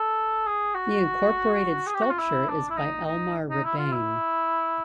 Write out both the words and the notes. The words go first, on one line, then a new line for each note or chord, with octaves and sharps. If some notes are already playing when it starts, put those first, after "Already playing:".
The incorporated sculpture is by Elmar Rebane.
Already playing: A4
G#4
F#4
G#4
G4
F#4
F4
E4
D4
E4
D#4
D#4
D#4
E4
F4
E4